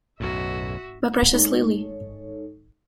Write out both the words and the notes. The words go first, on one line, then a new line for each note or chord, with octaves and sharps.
My precious Lily!
B1 F#2 A2 F#4 E5
G#3 D#4 A4 C#5